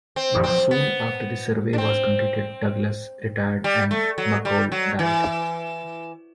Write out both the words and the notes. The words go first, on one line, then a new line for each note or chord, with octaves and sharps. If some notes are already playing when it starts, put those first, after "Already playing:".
Soon after the survey was completed Douglas retired and McColl died.
C4
C4
B3
D4
C4
G3
A3
F#3
G3
F#3
E3